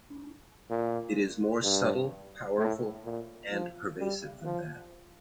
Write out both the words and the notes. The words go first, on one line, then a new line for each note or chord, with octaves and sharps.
It is more subtle, powerful and pervasive than that.
A#2
G2
A2
A#2
F3
G3
F3